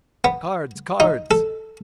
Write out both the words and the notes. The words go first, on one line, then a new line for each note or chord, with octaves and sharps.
Cards! cards!
B3
D#4
A4